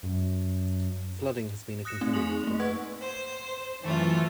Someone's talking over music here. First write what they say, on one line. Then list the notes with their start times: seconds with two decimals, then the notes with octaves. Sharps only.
Flooding has been a continuing problem.
0.03 F#2
1.85 D#6 F#6 A#6 C#7 E7
2.01 A3 C4 D#4
2.13 G#4 G#5 C6 A#6 F7 F#7
2.30 D#4
2.43 A3 A#3
2.60 B4 F#5 C#6 G#6
3.00 C5
3.83 F#2 E3 A3 F4